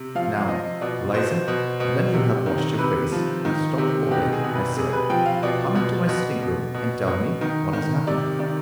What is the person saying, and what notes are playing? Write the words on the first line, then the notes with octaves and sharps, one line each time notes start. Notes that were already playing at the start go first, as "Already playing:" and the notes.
"Now, Eliza, when you have washed your face and stopped bawling," I said, "come into my sitting-room and tell me what has happened."
Already playing: C3
F3 F5
F3 D#5
B2 D5
B2 C5
B2
B2
C3
D#3
C3 B4
F3
D#3
C3
B2 G4
G#4
B2
B4
C3 G#4
G#4
B4
F3 G5
F5
B2 D5
B2
B2
B2
B2
B2
D#3
D#3
C3 D5
D#3 D5